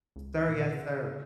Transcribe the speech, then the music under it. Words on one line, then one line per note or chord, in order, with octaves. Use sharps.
"Sir, yes, sir.
C#2
A#2
C#3